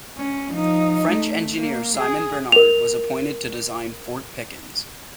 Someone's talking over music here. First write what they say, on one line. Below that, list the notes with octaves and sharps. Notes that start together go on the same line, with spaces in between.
French engineer Simon Bernard was appointed to design Fort Pickens.
C#4
F3 D#4
A3
A#3
G#4
A#4 F7